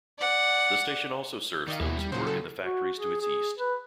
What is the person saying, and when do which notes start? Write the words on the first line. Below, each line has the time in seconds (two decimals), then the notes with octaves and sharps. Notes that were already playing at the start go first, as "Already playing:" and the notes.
The station also serves those who work in the factories to its east.
0.18 D5 F#5
1.68 D#3 D5 D#5 F5
1.80 D#2 B2 E3 E4
1.98 G3
2.12 A#2 C#3 F#3 C5
2.27 A4
2.63 F#4
2.96 G#4
3.21 G#4
3.58 B4